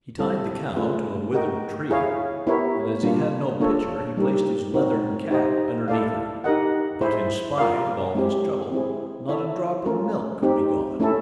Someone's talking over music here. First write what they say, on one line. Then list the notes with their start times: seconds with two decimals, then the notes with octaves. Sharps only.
He tied the cow to a withered tree, and as he had no pitcher he placed his leathern cap underneath her; but in spite of all his trouble not a drop of milk could be got.
0.19 G3 C4 E4 A4
0.76 A3 C#4 F4 G#4 B4
1.33 F#4 A#4 D#5 G5
1.90 E4 G#4 C#5 F5
2.47 B3 E4 G4 A#4 C#5
3.03 G3 A#3 D4 F4
3.60 A#3 D4 F4 A4 C#5
4.17 G3 A#3 D#4 G4 A#4
4.74 C4 D#4 F#4 A#4
5.30 D#4 G4 C5 D#5
5.88 E4 A4 D5 F5
6.44 D#4 G4 A#4 D#5 F#5
7.01 E4 G#4 C5
7.58 F4 A#4 D5 F5
8.15 G#3 C4 E4 G4
8.72 C4 E4 G#4
9.29 E4 A4 C#5 E5
9.86 A3 C#4 F4 A#4
10.43 C4 D#4 G4
11.00 A3 C#4 E4 A4